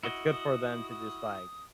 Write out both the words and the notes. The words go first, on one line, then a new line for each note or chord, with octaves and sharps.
it's good for them to just, like
E4 F#4 D#5
D#6
D#6